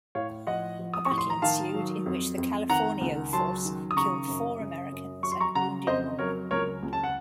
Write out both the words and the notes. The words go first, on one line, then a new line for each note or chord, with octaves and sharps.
A battle ensued in which the Californio force killed four Americans and wounded more.
A2 C#5 F5
F3 D#5 F#5
F3
D#6
C#6
A2
C6
A#5
D#3 F5 A5
F#3
F2
F2
D#3 F#5 A#5
C#2
F#3 A5 C6
D#3
D#6
C#3 A#5 C#6
F#2
C#3
F#2
F#3 C#6
C6
A#5 C#6
C#3 F#5 A#5
F2 C5 D#5
F#3 A#4 C#5
C#2 A#4 C#5
C#2
A5
F#5